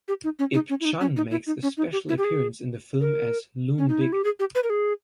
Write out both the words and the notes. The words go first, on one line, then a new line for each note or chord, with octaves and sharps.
Ip Chun makes a special appearance in the film as Leung Bik.
G4
D#4
C#4
D#4
C#4
E4
D#4
C#4
D#4
E4
D#4
C#4
D#4
G4
E4
G4
G#4
A#4
C#4
D#4
E4
G4
G#4
G4
B4
A#4
G#4